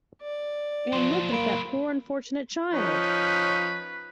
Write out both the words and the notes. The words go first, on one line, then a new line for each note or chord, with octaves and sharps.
And look at that poor unfortunate child!
D5
A#2 F3 F#3 C6
A#3 B5 D7
F3 C#4 D#4 B4